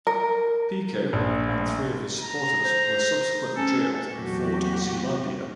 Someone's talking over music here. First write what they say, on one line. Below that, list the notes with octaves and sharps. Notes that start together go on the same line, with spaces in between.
Piko and three of his supporters were subsequently jailed in Fort Zeelandia.
A#4
A#1
A#5
C5
C#4 A4
E2 A#2 F#3 C4 F#4 G4